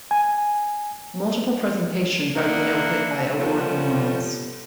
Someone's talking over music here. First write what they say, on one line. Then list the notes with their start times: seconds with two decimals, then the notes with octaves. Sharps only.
Multiple presentations are denoted by award numerals.
0.11 G#5
2.35 A#3 D4 E4 A#4 F#5
3.39 F3 G3 A3 B3 C#4